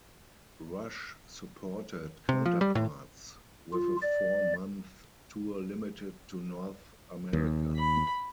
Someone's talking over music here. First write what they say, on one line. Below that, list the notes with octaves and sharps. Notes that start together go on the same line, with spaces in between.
Rush supported "Counterparts" with a four-month tour limited to North America.
C3
F3
G3
A2
F4
D5
D#2
B5